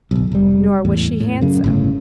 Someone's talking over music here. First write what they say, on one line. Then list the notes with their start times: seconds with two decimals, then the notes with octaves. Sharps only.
Nor was she handsome.
0.11 D1 B1
0.32 F1 G3
0.85 E2 A2
1.20 A2
1.41 F#2 C#3
1.64 G1 A2 C#3